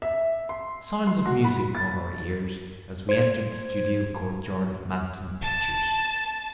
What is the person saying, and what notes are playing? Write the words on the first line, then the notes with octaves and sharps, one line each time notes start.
Sounds of music caught our ears as we entered the studio courtyard of Manton Pictures.
E5
C6
C6
F#4
B5
A6
C5 G#6
A5 E7